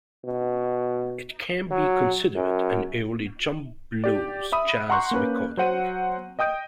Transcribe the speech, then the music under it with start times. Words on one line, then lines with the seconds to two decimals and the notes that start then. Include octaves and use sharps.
It can be considered an early jump blues jazz recording.
0.25 B2
1.71 F#3
2.36 F#2
4.04 G4 D5
4.52 E5 B5 D#6
4.90 F#5 A#5 C6 C#6 F#6 G6
5.11 A#3 C#4 B4
5.57 F#3 C5 F#5 D#7
6.39 D#5 G5 D#6 G6 D7